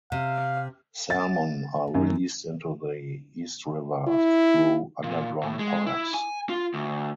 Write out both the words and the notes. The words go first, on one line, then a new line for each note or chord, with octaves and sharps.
Salmon are released into the East River through underground pipes.
C3 F5
A6
F#2
E4
A#2
A2
G#3
E4
G#5
F4
D2